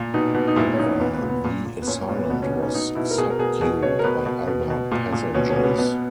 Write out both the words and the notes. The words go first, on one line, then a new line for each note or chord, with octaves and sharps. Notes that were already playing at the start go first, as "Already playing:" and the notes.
However, the assailant was subdued by other passengers.
Already playing: A#2
B2 D#4
B2
D#4
A#2 E4
C#4
A#2 D#4
A#2 B3
B3
A#2
B3
A#2
A#2
B3
A#2 C#4
C#4
A#2
B3
B2 B3
C#4
B2 B3
D#4
C#4
B2 D#4
B2 E4
A#4
B2 G#4
A#4
B2 G#4
B2 G#4
B2 C#5
A#4
B2 B4
B2
B2
B2
A#2
A#2
B2 C#4
C#4
B2
B3
B2 B3